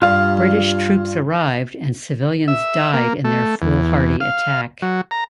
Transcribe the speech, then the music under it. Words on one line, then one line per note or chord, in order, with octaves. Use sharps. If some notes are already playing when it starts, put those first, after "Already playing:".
British troops arrived and civilians died in their foolhardy attack.
G2 F4 F5
E5
A#3
A3
E2
F5
F#3
A#5